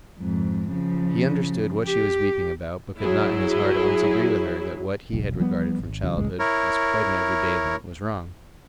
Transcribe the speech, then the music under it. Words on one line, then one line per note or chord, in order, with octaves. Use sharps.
He understood what she was weeping about, but could not in his heart at once agree with her that what he had regarded from childhood as quite an everyday event was wrong.
F2 G#2
C#3 F3
G4
F#3 E4 G#4
E1 B1
F3 G3 B3
G#1
E2 C#3 F#3
F#1 C#2 A2 G#3
E4 A#4 C#5